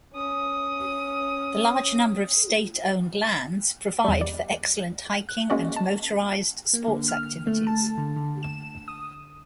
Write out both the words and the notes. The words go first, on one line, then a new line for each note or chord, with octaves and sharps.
The large number of state-owned lands provide for excellent hiking and motorized sports activities.
C#4 D#6
E2 G3
D5
F#6
G#3 A#3 C#4 F#4 D5
A5
A#3
D3
F6
A3
A5
D3
D3
E7
D#6